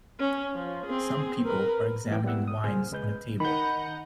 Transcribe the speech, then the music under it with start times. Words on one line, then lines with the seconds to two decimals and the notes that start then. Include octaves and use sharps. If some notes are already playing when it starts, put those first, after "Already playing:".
Some people are examining wines on a table.
0.19 C#4
0.54 F3
0.86 C4 G#4
1.44 A#4 B4
2.10 F#2 A2 E3 G5 D6
2.24 G3 B3 E4 F#5 E6
2.48 D#6
2.64 A#2 C#3 G#4 C5 G#5 F6
2.92 C#2 G#3 B4 G6
3.40 D#3 D#5 F#5 A#5 B5 G6